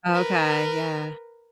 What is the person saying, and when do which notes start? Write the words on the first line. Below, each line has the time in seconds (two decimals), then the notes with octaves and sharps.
Okay, yeah.
0.11 A#4 B4